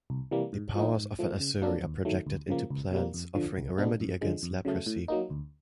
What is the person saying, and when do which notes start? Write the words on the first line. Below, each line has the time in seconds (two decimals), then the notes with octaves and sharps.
The powers of an Asuri are projected into plants offering a remedy against leprosy.
0.10 C2
0.31 C3 E3 G3 A#3
0.53 G#2
0.75 F3 A#3 D#4
0.96 G#2
1.19 F3 A3
1.40 C#3
1.62 F#3 A#3 D4
1.84 D#2
2.05 D#3 F#3 A3
2.27 D2
2.49 C#3 F3 A#3
2.70 C#2
2.91 B2 G3 A#3
3.14 F2
3.35 D3 F3
3.57 C2
3.78 B2 G#3 B3 D4
4.00 F#2
4.21 D3 F3 G#3
4.43 F2
4.65 C#3 F#3 A3
4.86 A2
5.08 F#3 A#3 D#4
5.30 D2